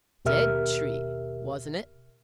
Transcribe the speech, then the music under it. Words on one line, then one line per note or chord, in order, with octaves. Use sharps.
"Dead tree, wasn't it?"
D#2 B2 G4 A#4 E5 F6